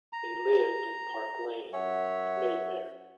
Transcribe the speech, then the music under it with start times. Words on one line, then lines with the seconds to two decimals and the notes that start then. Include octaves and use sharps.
They lived in Park Lane, Mayfair.
0.13 A#5
1.72 F#2 C#5 E5 F#5